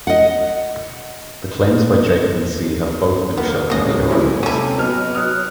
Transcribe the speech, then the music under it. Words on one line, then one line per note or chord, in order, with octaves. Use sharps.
The claims by Jacob and See have both been shown to be erroneous.
D#5 F#5
A#3 B3
D#1 A2 C#3 G#3 A#3 C#5 D#5
F#3 C4 C#4 E4
C3 C#4 E4 A4 G#5 D#7
F#3 B3 D#5 F6
F#3 D#6 F6 F#6